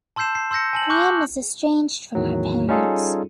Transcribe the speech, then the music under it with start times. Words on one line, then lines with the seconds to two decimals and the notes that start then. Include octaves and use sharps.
Graham is estranged from her parents.
0.16 A5 C6 E6 G6 C7 E7
0.35 C7
0.51 C6 E6 G6 A#6 C#7
0.73 G#5 A5 F#7
0.90 C#6 D6 F#6 G6
2.15 E2 A2 D#3 F#3
2.68 G3 C#4 D#4 F4 G#4 A4